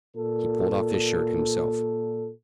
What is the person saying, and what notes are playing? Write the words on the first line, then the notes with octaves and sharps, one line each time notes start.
He pulled off his shirt, himself.
A#2 A4